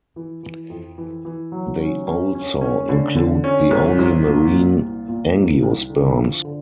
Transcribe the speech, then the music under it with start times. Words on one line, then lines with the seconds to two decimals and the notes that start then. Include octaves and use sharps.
They also include the only marine angiosperms.
0.16 E3
0.43 E3
0.70 F2
0.98 E3
1.25 E3
1.52 F#3
1.80 C#4
2.07 C#4
2.35 C#4
2.61 C#4
2.89 D3
3.16 D3
3.44 C#4
3.71 C2
3.98 C2
4.26 A#2
4.54 A#2
4.80 C2
5.09 A#2
5.35 C2
5.63 C2
5.90 D3
6.17 F3
6.45 D3